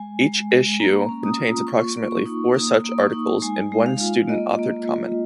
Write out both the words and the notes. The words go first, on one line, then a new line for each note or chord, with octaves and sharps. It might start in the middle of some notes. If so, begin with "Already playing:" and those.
Each issue contains approximately four such articles and one student-authored comment.
Already playing: G#3 G#5
G#3
G#3
A#3 A#5
C#4
D#6
F4
A#3 C#6
A#3
C#6
D#4
A#3 D#6
A#3
C#6
D#4
G#3 G#5
G#3
F5
F4
A#3 D#5
A#3
F4